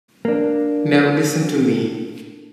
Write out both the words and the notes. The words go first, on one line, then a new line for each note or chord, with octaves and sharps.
Now listen to me.
A#3 D4